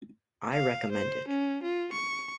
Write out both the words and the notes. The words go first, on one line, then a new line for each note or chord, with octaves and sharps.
I recommend it.
F5
C5
C#4
F4
C#6